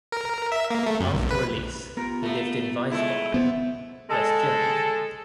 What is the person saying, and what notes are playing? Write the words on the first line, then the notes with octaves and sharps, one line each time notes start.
After release he lived in Wiesbaden, West Germany.
A#4
E5
A#3
A3
F#2
B1
B4
B3 F4 G4 A#4
A3 A#3
G#3 A3 E4
A#2 D#3 E3 B3 C5
G#3 A4